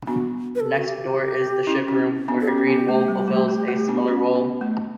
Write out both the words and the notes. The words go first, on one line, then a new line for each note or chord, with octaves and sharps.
Next door is the ship room where a green wall fulfills a similar role.
B3 D4 F#4
B4
A4
F#4
G4
C#4 E4
C#4
B3 D4
A4
C#4 G4
C#4
B3
A3
G3
A3
A3
A3
B3 D4
C#4
B3
A3